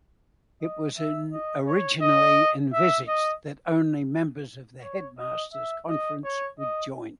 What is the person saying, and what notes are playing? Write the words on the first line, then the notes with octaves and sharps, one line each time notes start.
It was originally envisaged that only members of the Headmasters Conference would join.
D#5
E5
D#5
C#5
D#5
E5
D#5
C#5
D#5
E5
D#5
C#5
D#5